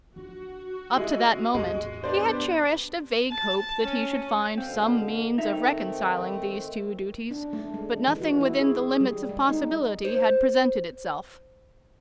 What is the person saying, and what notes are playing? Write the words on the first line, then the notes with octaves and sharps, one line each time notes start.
Up to that moment he had cherished a vague hope that he should find some means of reconciling these two duties, but nothing within the limits of possibility had presented itself.
D4 F4 F#4
G#3 E4 D#5
E2 A2 G#3 D#5
B3 D4 G4 C5 D5
A5
C#4
B2 D3 C4 F5
D#3 A3 C4 D#4 E5
D4
A3
G#3
E3
F#4
E4
G#4
G3
G#3
D#4
C5 C#5